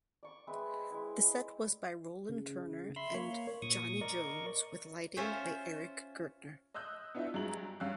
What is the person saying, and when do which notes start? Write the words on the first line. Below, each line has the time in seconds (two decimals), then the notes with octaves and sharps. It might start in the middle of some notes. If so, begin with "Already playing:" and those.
The set was by Roland Turner and Johnnie Jones with lighting by Eric Gertner.
0.23 D5 C#6
0.47 G#3 C4 B4 E5
0.90 G#3 E4 G#5
2.29 C#3
2.96 E5 B5 C6
3.14 A#3 C#5
3.62 A#2 C#6 D#6
4.01 A#4 D5 D#5 C#6
5.17 C#4 F4 C5 C#5 E5
6.74 D#5 D#6 E6 F#6 G6
7.15 B3 D4 E4 F4 D#5 E5
7.34 G2 F#3 G#3 A#5 F#7
7.80 G2 C#4 F5 E6 F#6